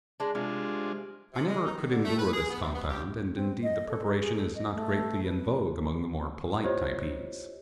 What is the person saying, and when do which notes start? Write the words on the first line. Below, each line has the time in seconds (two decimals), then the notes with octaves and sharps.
I never could endure this compound, and indeed the preparation is not greatly in vogue among the more polite Typees.
0.20 G#3 D4
0.35 C3 G#3 D4 F4
1.34 C3
1.48 G#3
1.65 D#4
1.78 D#3
1.91 D3
2.05 A3
2.19 B4
2.33 G#4
2.50 B3
2.62 C3
2.74 B3
2.90 G4
3.34 C4
3.63 D#5
3.89 A4
4.04 D#4
4.21 G#4
4.35 A4
4.55 D#5
4.74 A3
5.24 B4
6.63 E4 F4 G4 C5 C#5 D#5